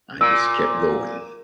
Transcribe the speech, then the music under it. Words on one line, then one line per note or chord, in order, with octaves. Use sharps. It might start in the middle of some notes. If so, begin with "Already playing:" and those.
I just kept going,
A#2 E6 D7